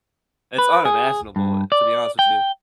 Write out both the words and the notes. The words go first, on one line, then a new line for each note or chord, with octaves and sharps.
it's unimaginable, to be honest with you.
B4
G#4
G2
D5
G5